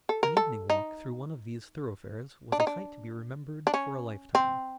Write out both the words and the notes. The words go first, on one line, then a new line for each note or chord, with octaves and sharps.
An evening walk through one of these thoroughfares was a sight to be remembered for a lifetime.
A4
A#4
A4
D#4
D4
D#4
D4
D4
C#4
C4